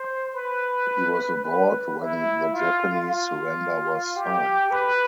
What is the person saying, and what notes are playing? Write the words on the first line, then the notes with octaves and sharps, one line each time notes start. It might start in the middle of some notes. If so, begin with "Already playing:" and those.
He was aboard when the Japanese surrender was signed.
Already playing: C5
B4
B4
E4
F4
F4
G4
B4